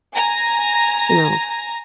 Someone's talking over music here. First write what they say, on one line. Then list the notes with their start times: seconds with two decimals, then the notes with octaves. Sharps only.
you know,
0.13 G#5 A#5